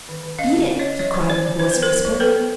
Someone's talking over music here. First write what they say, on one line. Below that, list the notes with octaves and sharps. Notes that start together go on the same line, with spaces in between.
"Beat it!" he cried in a hoarse whisper.
D#3
D#3
C#4 D#5 F5
D3
C#4
D3 C#5 D#5
G#3 C#5 D#5
F3 C5 D5
F3 C5 D5
F3
D4 C5
B3 B4
A#4 C5
B3
F#3
B3 A4 B4
B3